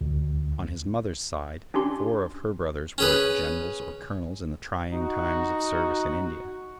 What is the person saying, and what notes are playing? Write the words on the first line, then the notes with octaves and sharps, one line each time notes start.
On his mother's side, four of her brothers were generals or colonels in the trying times of service in India.
D2
C#4 D4 G4 C6
C#4 G#4 B4
D#4 F#4